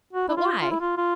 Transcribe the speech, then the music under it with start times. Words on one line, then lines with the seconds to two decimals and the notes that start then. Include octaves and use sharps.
But why?...
0.13 F#4
0.29 E4
0.37 F4
0.61 F4
0.71 E4
0.80 F4
0.97 F4